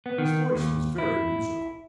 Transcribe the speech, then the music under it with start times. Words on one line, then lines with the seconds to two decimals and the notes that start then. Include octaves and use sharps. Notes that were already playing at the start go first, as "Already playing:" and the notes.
His voice was very musical.
0.06 B3
0.18 D#3
0.55 D#2
0.98 E4